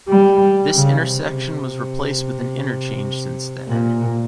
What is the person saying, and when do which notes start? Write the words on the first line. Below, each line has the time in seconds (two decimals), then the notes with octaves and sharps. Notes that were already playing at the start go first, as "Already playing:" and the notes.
This intersection was replaced with an interchange since then.
0.09 G3
0.74 C#3
1.07 C3
3.68 A#2